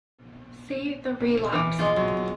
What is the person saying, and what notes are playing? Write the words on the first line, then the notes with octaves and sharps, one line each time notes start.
See "The Relapse".
E3 D6 F6
G#3 F4
F#3